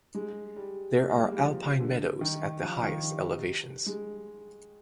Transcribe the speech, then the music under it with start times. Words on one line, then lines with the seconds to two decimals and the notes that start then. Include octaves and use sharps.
There are alpine meadows at the highest elevations.
0.15 G#3
0.56 G3
1.15 A#3
1.24 G#3
1.31 G3
1.38 F3
1.80 D3
2.21 D#3
2.63 F3
2.83 D#3
3.04 G3
3.86 G#3